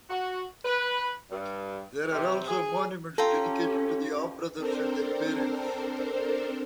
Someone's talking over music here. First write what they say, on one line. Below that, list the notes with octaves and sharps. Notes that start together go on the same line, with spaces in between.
There are also monuments dedicated to the Aw brothers and their parents.
F#4
B4
G2
C3
G#4
C#4 F4 G4 A4 G5 A#5
C4 D4 A4 A#4 C5